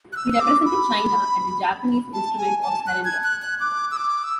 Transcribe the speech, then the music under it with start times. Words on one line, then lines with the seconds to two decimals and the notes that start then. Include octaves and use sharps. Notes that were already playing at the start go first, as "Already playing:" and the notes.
He represented China at the Japanese Instrument of Surrender.
0.13 F#6
0.16 E6
0.32 E6
0.41 D6
0.66 B5
2.13 A5
2.38 G#5
2.63 A5
2.87 F#6
3.05 G#6
3.24 F#6
3.42 F#6
3.60 D6
3.91 E6
3.97 D6
4.24 E6